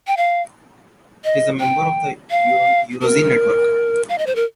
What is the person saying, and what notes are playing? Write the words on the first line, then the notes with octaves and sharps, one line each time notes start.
It is a member of the Eurozine network.
G5
F5
D#5
G5
F5
A#4
F5
D#5
C5
A#4